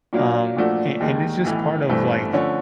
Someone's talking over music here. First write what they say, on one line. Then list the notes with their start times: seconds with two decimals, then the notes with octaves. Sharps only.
um, a and it's just part of, like,
0.13 A#2 F#3 A#3 D4 F4
0.56 A#2 F3 A3 D4 F#4
1.00 D#2 D#3 G#3
1.44 B1 A2 E3
1.89 G1 G2 E3 A3 C4
2.33 D3 F3 A3 C#4